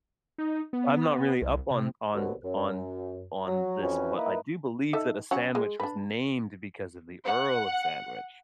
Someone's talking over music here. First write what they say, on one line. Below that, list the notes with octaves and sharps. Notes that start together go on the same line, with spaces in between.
I'm not really up on on on on this, but I do believe that a sandwich was named because of the Earl of Sandwich.
D#4
B3
C2
C3
C2 B2 D3 F#3
F#2
F#3
F2 E3 C#4 F#4
A#3 D#4 E4 B4
D#4 A4 E5
F#3 C#4 F#5
G#3
D4 B4
F#5